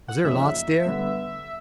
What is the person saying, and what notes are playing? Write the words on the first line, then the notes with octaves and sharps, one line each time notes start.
Was there lots there?
F#5
F#2 C#3 F3 A#3 D#4 E5
D3 G3 B3